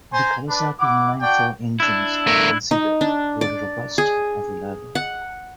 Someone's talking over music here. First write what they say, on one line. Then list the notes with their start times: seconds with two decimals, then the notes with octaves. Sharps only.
The Kawasaki inline-four engines are considered very robust and reliable.
0.13 C5 G#5 A#5
0.49 D4 B4
0.80 E4 F#5 D6
1.22 D4 F#4 D5 G5
1.80 D4 E4
2.27 A3 A#4
2.71 D#4
3.01 D4
3.41 D5
3.98 G#4
4.95 F#5